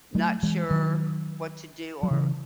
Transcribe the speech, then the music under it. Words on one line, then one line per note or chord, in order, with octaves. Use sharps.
not sure what to do, or
F#3 A3
E3 G#3
D#3 F#3
F#3
C#3 E3